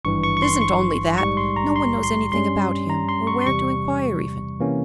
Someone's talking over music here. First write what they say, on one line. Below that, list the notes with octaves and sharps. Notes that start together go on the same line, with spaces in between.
"It isn't only that; no one knows anything about him, or where to inquire even."
G#1 G2 E3 C#6
C#6
C#6
C6
C#6
A#1 G#2 G3 C#6
C6
A#5
C6
C6
G2 G3 C#4 C6
A#5
C6
C#6
C6
E2 C3 E3 G3 C#6
C3 E3 A#3 C#4